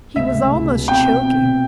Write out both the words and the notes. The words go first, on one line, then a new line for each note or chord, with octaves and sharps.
He was almost choking.
C#2 E5
C#2
C#2
B2
C4 G5
B2
C4
B2